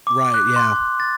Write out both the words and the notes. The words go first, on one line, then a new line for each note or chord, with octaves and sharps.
Right, yeah.
D6
F#6
C6
A6